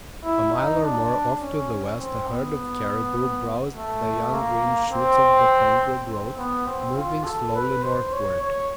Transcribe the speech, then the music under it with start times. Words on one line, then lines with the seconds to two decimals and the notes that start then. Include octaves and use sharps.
A mile or more off to the west a herd of caribou browsed the young green shoots of the tundra growth, moving slowly northward.
0.24 E4
0.54 D#4
0.82 D4
1.40 C#4
1.99 C4
2.29 B3
3.74 A3
4.32 A#3
4.91 C4
6.07 C4
6.37 B3
6.67 C4
6.95 F4
7.24 A4
7.54 B4
7.83 C5
8.12 C#5
8.42 C#5